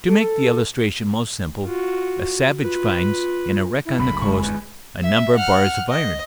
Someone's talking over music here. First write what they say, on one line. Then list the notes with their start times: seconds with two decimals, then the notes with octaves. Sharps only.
To make the illustration most simple: a savage finds in a wreck on the coast a number of bars of iron.
0.07 A4
1.64 F4 F#4
2.62 F4 B4
3.85 E4
3.98 F#1 D2 B5
4.22 G#3 C#6
4.43 G1 E2 B4
5.02 E5
5.36 F#5 F6
5.89 D#5